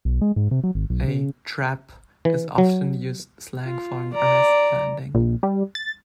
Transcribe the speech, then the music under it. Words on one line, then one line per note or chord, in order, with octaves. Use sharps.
A "trap" is often-used slang for an arrested landing.
B1
G#3
G#2
C3
F#3
G#1
B1
C#3
E3
F#3
F4
D5 A#5
A#1
G3
A6